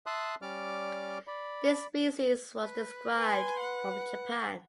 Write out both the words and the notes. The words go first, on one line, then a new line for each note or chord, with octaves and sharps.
This species was described from Japan.
E5 A5 C6 D#6 F#6
G3 C#4 D5 D6 F6
D5 B5
B4
B4 G#5 C6
F#5